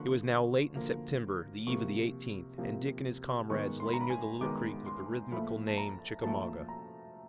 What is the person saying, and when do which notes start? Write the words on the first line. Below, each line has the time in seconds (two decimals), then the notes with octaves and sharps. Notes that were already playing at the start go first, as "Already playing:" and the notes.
It was now late in September, the eve of the eighteenth, and Dick and his comrades lay near the little creek with the rhythmical name, Chickamauga.
Already playing: D3 F3 A#3 C#6
0.75 D3 F3 A#3
1.67 C3 F3 A#3 C#6
2.58 C3 F3 A#3
3.50 D#3 G#3 B3 C#6
3.80 C6
3.87 B5
3.93 A#5
4.01 B5
4.10 G#5
4.41 D#3 G#3 B3 D6
4.86 C6
5.32 A#2 F3 A3 B5
5.68 A5
5.78 A#5
6.23 A#2 F3 A3 A5
6.68 A#5